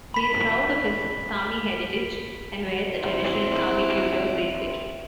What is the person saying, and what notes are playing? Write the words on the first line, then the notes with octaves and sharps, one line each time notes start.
He is proud of his Sami heritage, and wears a traditional Sami pewter bracelet.
B5 B6
C4 E4